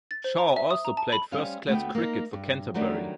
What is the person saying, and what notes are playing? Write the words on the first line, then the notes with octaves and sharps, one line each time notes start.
Shaw also played first class cricket for Canterbury.
A6
C5
A#5
E5
D#6
A#5
A5
B5
G3 C#4 C5 F5
D2 A3 B3 G5
A#3 D#4
G2
D#3 F#3 G3 A3 D4